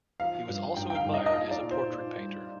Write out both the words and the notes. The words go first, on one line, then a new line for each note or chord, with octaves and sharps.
He was also admired as a portrait painter.
F3 F5
G2
G2 G5
G5
F5
G2
D#5
D#5
A#2 F5
D5
A#2
C5
A#2
G3